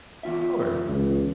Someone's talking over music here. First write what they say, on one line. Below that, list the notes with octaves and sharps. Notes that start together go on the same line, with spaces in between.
Of course.
E2 F4 E5
C#2